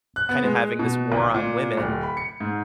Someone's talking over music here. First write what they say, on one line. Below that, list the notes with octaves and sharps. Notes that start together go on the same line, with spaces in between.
kinda having this war on women,
F#6
B3
G#3
B2
B1
A#2
D1
B5
C#7
G#2